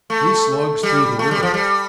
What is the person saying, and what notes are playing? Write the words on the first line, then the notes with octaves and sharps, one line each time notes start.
He slogs through the world.
A3
G3
A3
G3
F3
G3